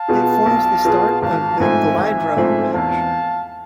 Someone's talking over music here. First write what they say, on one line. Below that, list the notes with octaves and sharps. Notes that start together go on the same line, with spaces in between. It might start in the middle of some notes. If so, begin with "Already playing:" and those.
It forms the start of the Glyderau ridge.
Already playing: F5 A5
B2 B3 F4 G#4
B1
B2 B3 F4 G#4
G#1 F5 A5
G#2 F3 A3 C4 E5 G#5
G#1 E5 G#5
G#2 F3 A3 C4
E2 F5 A5